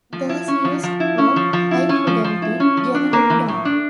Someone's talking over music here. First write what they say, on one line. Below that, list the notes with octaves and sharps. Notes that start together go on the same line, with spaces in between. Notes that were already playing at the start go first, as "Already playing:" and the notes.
Those used for high-fidelity generally don't.
F3
E4
C#4
F3
F3
E4
C#4
F3
F3
E4
C#4
F3
F3
E4
C#4
F3
D4
A#3
E3
A2
D4